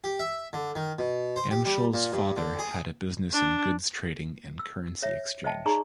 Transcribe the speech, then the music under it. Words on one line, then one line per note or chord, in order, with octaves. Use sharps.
Amschel's father had a business in goods-trading and currency exchange.
G4
E5
D3
D#3
B2
C5
G4
G3
A#2
G2
D3
G#4
D4
E6
C#5 E5
C5 D#5 E5 G5 A5
D#4 G#4 D5 A#5 C#6